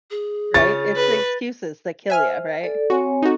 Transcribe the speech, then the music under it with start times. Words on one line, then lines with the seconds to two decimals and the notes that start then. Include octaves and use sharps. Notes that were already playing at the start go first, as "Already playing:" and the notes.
right? It's the excuses that kill you, right?
0.11 G#4
0.54 C#3 F4 C#5 A6
0.96 B4
2.10 C5 E5 G#5 F6
2.64 A4 D5
2.90 C4 F#4 C#5 G#5
3.22 C4 D#4 F#4 A4